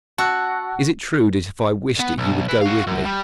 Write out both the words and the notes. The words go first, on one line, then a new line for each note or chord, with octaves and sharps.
"Is it true that if I wished it you would go with me?"
F#4 A5 E6 F#6
B3
B1
E4 B4
F#4 F5
F#2
G3